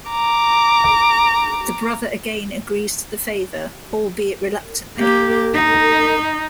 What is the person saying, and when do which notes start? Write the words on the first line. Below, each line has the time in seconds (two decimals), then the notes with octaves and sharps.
The brother again agrees to the favor, albeit reluctantly.
0.10 A#5 D6
4.97 A#3 G4
5.54 D#4